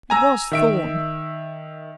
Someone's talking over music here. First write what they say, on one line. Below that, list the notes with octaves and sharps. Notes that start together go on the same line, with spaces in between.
"It was Thorn."
G#5 A#5 E6
D#3 E5 D7